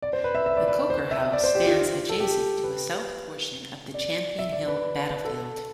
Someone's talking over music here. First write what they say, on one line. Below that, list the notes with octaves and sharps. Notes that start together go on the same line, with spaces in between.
The Coker House stands adjacent to a south portion of the Champion Hill battlefield.
D5
C5
B4
E5
E5
D5
B4
C5
E5
D5
C5
G4
F4
A4
G4
B4
D5
E5
D5
B4
A4